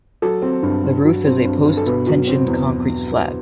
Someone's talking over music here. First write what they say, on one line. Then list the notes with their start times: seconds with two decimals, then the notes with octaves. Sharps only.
The roof is a post-tensioned concrete slab.
0.22 F#3 A4
0.42 C4
0.63 G2
0.84 G2
1.04 F#3
1.25 C4
1.45 G2
1.65 G2
1.77 A4
1.86 B2 B4
2.07 F#3
2.27 C4
2.47 E2